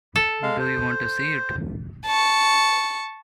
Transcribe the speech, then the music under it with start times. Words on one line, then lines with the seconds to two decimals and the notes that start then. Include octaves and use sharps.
Do you want to see it?
0.16 A4
0.43 G#3 F5
0.59 C5
2.06 A5 C#6